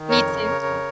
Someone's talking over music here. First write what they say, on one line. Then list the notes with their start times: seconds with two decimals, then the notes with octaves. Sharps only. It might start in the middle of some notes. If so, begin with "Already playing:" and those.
Me too.
Already playing: D#3
0.09 F2 A#4 C#5
0.28 C#3
0.46 C#3
0.65 F2